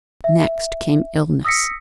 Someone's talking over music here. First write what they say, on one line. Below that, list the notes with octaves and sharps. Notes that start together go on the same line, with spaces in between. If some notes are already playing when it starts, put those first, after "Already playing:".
Next came illness.
E5
D#6 E6 A#6 B6 C#7